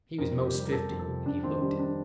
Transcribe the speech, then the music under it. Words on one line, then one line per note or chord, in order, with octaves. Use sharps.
He was most fifty, and he looked it.
F2 A#4
C3
G4
G3
A#4
F2 A4
F2
A4
C3
F2 D4
D#3 C4
G3 D4
D4